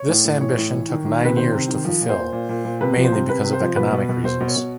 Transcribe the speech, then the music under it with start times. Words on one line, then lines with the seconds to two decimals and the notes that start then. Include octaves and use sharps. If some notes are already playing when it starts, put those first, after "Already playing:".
This ambition took nine years to fulfill, mainly because of economic reasons.
Already playing: C#5
0.08 A2
0.25 A2
0.41 E3 C#5
0.57 A2
0.73 E3
0.89 D#3
1.05 D#3
1.21 C3 B4
1.37 D#3 C5
1.52 C3
1.68 D#3
1.85 F3
2.01 A#2
2.09 C5
2.16 A#2
2.33 A#2
2.49 A#2
2.64 A#2
2.81 C3 B4
2.96 F3
3.04 C5
3.12 C3
3.28 C3 B4
3.44 C3
3.53 C5
3.60 F3
3.76 B2 B4
3.93 B2
4.09 B2
4.24 B2 C5
4.40 B2
4.48 C#5
4.56 B2